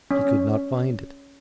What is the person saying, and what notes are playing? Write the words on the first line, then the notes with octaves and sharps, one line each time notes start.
He could not find it.
C#4